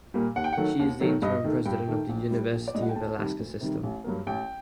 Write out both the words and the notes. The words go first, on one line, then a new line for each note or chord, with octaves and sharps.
She is the interim president of the University of Alaska system.
A#2 G3 A#3
D#2 F#5
G5
D#3 F#3 A3 F#5
D#2
D#3 F#3 A3
G2 D#5
D#3 A3
G2 G5
D#3 A3
A#1
A2 G3
A#1
D5
A2 G3 D#5
F#5
G5
D2 A5
C3 D#3 G3
D2
C3 D#3 G3
A1
G2 F#3 A#3
A1 G5